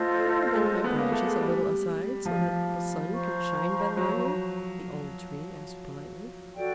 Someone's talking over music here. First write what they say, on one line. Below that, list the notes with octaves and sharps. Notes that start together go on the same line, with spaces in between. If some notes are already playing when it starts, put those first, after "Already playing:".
"Shall I bend my branches a little aside so that the sun can shine better on you?" the Old Tree asked politely.
Already playing: A3 F4 A4 C5 D#5
G#3
B3
A#3
A3
G#3
G3
F3
C5 F5 A#5 C#6
F#3
F#4 A4 D5 G5